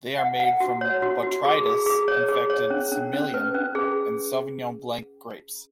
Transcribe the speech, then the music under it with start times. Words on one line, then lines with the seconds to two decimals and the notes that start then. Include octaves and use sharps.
They are made from botrytis infected Semillon and Sauvignon blanc grapes.
0.18 F#5
0.40 F#5
0.60 F#4
0.81 C#5
1.02 F#4
1.23 F#4
1.45 G#4
1.66 G#4
1.86 G#4
2.08 C#5
2.29 G#4
2.50 C#5
2.70 C#4
2.92 C#4
3.13 C#4
3.34 B4
3.54 C#4
3.75 G#4